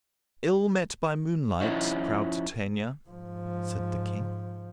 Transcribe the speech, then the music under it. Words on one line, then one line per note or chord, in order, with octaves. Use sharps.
"Ill met by moonlight, proud Titania," said the King.
F3 C#4 D#4 E4 F#4
G#2 F3